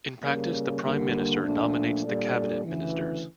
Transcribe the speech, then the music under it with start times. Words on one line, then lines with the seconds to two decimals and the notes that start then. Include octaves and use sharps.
In practice the prime minister nominates the cabinet ministers.
0.21 C#3 G3 A#3
0.81 D3 G3 A#3
1.43 A#2 F3 A3 D4
2.03 A#2 G3 D4 A4 D5
2.63 D2 C#3 E3